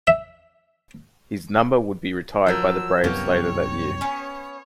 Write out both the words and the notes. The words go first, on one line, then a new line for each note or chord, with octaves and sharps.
His number would be retired by the Braves later that year.
E5
F3 F#3 A#4 E6
C2 F#2 A#3 B3 G4 A4 C#5
B3 C#4